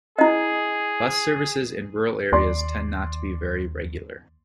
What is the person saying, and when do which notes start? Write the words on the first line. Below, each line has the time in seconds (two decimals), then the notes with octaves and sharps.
Bus services in rural areas tend not to be very regular.
0.19 E4 G#4 D#5
2.32 D#2 D5 C6